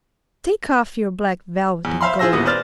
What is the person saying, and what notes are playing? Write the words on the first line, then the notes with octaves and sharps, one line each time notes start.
Take off your black velvet and gold!
E2
C5 E5 F5 B5 C6
E3 F4 G#4 C5 E6 A#6
D#1 A#2 B3 E4 D#6
B4 C5 D5 F6 A6